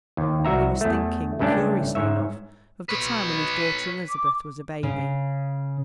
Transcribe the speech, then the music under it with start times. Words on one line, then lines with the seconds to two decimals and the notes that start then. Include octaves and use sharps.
He was thinking, curiously enough, of the time when his daughter Elizabeth was a baby.
0.17 D#2
0.45 C2 F#4 E5 A#5
0.81 E2 A3
1.39 C#2 G2 A3 C#4 D4 A5
1.95 G#2 C#5 E5
2.89 B4 C#5
4.09 D6
4.83 C#3